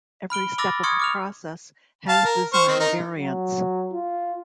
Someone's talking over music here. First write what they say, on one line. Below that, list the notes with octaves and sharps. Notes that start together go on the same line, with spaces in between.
Every step of the process has design variants.
B5 F6 D7 G7
B5 D6 E6 F6 A6 A#6
C6 C#6 D#6 F6 G#6 C#7
D6 F6 F7
F5 A5
A#4
C5 C#6 F6
D#3 C4
D#4 A#4
F#3
F4